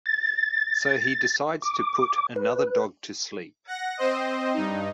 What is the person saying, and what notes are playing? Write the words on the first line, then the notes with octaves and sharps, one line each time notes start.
So he decides to put another dog to sleep.
A6
D6
B4
F#5 A#6
C4 C5 D#5
G2 D#4